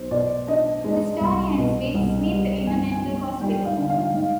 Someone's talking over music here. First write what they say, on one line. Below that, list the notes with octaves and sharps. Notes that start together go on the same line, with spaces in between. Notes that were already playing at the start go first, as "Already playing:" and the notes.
The story ends with Smith in a mental hospital.
Already playing: B1 C5
B2 D5
D4 D#5
G#3
C2
B2
C2
G3
G1 G#5
G#5
G2
G3 G5
F5
D3
F5
G#2